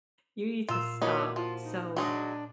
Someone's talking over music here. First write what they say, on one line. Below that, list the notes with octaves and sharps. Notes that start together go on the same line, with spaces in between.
you need to stop." So,
A#2 F4 E6 E7
A#3 D#4 E4 F#4 B4 C#5 D6
F3 F4
D#4
F#3 G#3 D4 D#4